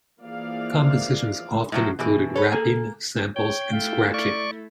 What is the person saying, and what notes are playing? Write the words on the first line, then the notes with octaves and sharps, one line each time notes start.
Compositions often included rapping, samples and scratching.
E3 F3 A#3 G#4 D5 F5
A2 F3 F#3
B2 E3
A4 B4 C#5
A#3 G#4 A4 G#5
C#5 G5
A3 E4 F5
D5 C#6